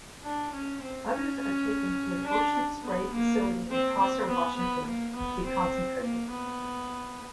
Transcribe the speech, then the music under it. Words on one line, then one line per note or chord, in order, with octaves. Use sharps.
Others are taken to an Ocean Spray facility in Prosser, Washington, to be concentrated.
D4
C#4
C4
C#4
C#4
D4
B3
A#3
C4
C4
B3
B3
A#3
B3
C4
A#3
B3